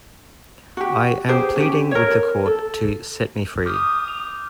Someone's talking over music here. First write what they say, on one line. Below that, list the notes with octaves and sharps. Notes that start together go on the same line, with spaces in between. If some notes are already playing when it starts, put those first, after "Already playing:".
I am pleading with the court to set me free.
F#4 G4
G4 G#4 C5
C#4 G4
A#4 C#5
A4
D6 D#6 F6 G6
F7